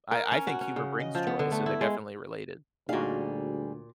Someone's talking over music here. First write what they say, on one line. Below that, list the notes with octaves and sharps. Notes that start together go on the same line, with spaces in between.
I I think humor brings joy, so they're definitely related.
A#4
C#4
F#4
C#4
C#3
D#5
F3
B3
D3
A3
E4
G#3
D2 A#2 G3 D#4 F#4 G#4 F5